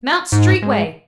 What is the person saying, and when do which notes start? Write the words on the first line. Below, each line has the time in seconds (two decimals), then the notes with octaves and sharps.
Mount street way.
0.32 G#2
0.62 G#2